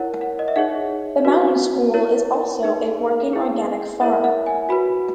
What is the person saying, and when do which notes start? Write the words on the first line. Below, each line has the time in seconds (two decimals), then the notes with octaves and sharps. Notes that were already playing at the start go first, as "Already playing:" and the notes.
The Mountain School is also a working organic farm.
Already playing: E4 A#4 C#5 F#5
0.21 F#5
0.39 D#5
0.48 E5
0.56 D#4 G#4 C#5 F#5
1.25 F#4 B4
1.94 E4 A#4 C#5
2.63 D#4 G#4 B4
3.32 E4 G#4 B4
4.00 E4 A#4 C#5 E5
4.24 F#5
4.46 G#5
4.69 F#4 B4 B5